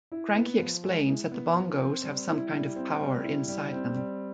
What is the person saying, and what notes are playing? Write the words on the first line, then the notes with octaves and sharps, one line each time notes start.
Cranky explains that the bongos have some kind of power inside them.
E4
B3
F3
G#3
E4
B3
F3
C4
G3
E4
G3
C4
G3
E4
G3
C4
G3